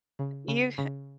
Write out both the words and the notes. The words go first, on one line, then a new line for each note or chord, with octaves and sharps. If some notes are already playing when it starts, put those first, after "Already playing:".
you c
C#3
C#3
C#3